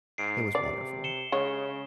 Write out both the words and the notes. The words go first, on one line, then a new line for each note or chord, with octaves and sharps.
it was wonderful.
G#2 C7 D7
C3 D5
C#7 E7 G7
C#3 G#3 C#5